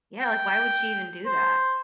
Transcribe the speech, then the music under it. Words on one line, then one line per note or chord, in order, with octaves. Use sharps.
Yeah, like, why would she even do that?
G5
C5